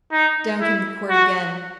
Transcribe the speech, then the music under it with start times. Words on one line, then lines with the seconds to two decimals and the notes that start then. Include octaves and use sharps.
Down came the quirt again.
0.12 D#4
0.60 E4
1.09 F#4